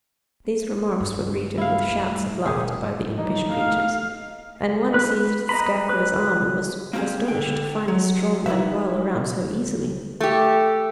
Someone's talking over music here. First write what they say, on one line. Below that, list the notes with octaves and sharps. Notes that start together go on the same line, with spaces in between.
These remarks were greeted with shouts of laughter by the impish creatures and one seized the Scarecrow's arm and was astonished to find the straw man whirl around so easily.
G2
E4 F5
G3 A3
E1 D#3 G3 G4 G#4
G2 E3 F#3 D#4
A3 F5
B4
D#5 A#5 B5
B4
A#3 C4 F4 G4 G#4
D3 G5
F#3
D#4 E4 B4 E5
A3 G4